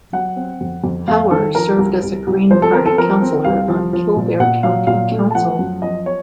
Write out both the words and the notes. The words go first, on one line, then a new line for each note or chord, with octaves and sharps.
Power, served as a Green Party councillor on Kildare County Council.
F#3 F#5
C4
F2
F2
F2 F5
D#3 A4
F3 A#4
C2
C2
C2
F3 C5
A4
C4 A#4
A4
F3 A#4
C4
C2 F5
F3
F3
A#2
A#2 F#5
F#3 F5
A#2 F5
A3
A5
F3 F#5
F#2
F3 D#5
C#5